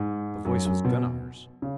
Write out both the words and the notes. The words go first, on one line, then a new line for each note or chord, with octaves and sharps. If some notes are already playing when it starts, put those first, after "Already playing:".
The voice was Gunnar's.
Already playing: G#2
F#2
F#2
B2
C#3